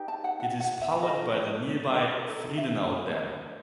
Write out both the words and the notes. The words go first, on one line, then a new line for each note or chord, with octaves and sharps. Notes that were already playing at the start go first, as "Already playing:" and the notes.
It is powered by the nearby Friedenau Dam.
Already playing: D#4 G4 B4
A5
F#5
F#5
F#5
E5
D#4 A4 D#5
D#4 A4
E5